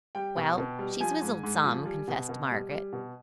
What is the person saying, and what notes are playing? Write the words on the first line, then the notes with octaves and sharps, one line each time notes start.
"Well, she's wizzled some," confessed Margaret.
G3 G5
B2
B2
G3
F3 G#5
G#2
G#2
F3
G3
B2
B2
G3
G3
B2